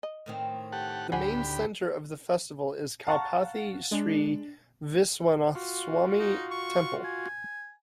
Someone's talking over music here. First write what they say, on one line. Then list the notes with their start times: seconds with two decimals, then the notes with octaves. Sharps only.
The main centre of the festival is Kalpathy Sree Viswanathaswamy temple.
0.03 D#5
0.26 A2 D#3 C4
0.72 G4 A4 F#5
1.12 D2 G4 C5 F#5 G#5 B5
3.07 F5 F#5 A5 A#5 C#6 A6
3.91 G#3 D4
5.55 F4 F#4
6.20 D#4
6.51 C#6
7.04 G#5